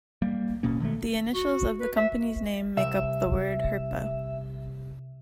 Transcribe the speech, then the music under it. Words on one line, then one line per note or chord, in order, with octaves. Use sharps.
The initials of the company's name make up the word "Herpa".
G3 A#3
D1 B2 A#3 C#4
B2 D#3 G#3 A3
F#4
B4
E5
C2 E5